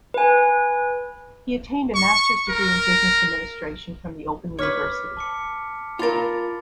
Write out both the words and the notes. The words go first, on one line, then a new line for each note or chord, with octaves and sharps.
He attained a master's degree in business administration from the Open University.
B4 G#5
C#6
A#4
B4 C#5 D6 F6 B6
A5 D6 C#7
F4 A#4 B5 A6